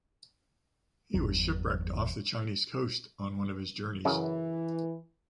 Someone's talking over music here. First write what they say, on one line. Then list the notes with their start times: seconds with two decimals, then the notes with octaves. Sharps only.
He was shipwrecked off the Chinese coast on one of his journeys.
1.14 G1 E2 F#3
4.05 F#2 C#3 E3